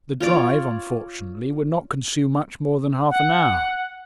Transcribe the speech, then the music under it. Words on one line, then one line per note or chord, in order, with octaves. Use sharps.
The drive, unfortunately, would not consume much more than half an hour.
F4 C#5 D5
F#5